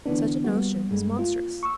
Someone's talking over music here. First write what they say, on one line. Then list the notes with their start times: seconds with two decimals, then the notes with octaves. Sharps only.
Such a notion is monstrous.
0.06 D3 E3 B3 D4
0.44 G3 A#3 B3 F#4
0.91 G2 G#3 A3
1.17 A#3 F4
1.63 C#6 E6